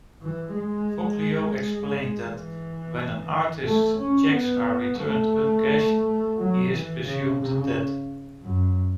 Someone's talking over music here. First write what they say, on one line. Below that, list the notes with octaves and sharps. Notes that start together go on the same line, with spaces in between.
Foglio explained that When an artist's checks are returned uncashed, he is presumed dead.
E3
G#3
E3
A3
C#4
B3
A3
F#3
E3
C#3
C#3
F#2